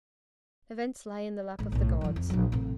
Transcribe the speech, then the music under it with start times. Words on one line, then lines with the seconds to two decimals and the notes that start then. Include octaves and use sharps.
Events lay in the lap of the gods.
1.59 A1 G#3
1.72 B1 A2
2.01 F#2 E3
2.16 F2
2.30 A#1 F#3
2.52 A1 C3